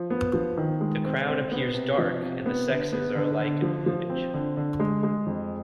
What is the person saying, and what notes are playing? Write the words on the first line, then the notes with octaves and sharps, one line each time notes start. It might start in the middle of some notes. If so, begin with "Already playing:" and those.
The crown appears dark and the sexes are alike in plumage.
Already playing: F3
B3
F3
D#3
G#3
C4
C4
B3
C3
F3
C3
B3
D3
B3
D3
D3
F3
F3
C4
D3
D3
G#3
G#3
F2